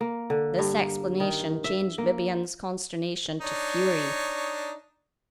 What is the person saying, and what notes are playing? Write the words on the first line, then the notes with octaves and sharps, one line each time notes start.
This explanation changed Bibiaine's consternation to fury.
A#3
D3
G2
A#3
D#3
E5
A#3
D4 D#4 C#5